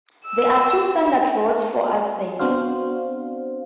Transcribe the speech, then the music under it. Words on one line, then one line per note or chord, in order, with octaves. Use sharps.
There are two standard routes for ascent.
E6
B3 C4 D4 F#4 C5 F5